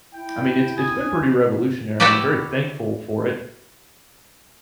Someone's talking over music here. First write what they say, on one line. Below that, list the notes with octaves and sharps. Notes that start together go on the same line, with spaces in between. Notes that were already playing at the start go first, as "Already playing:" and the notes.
I mean, it's it's been pretty revolutionary. I'm very thankful for it,
E4 G5
G#5 D#6
E4 F#4 G4 B4 D5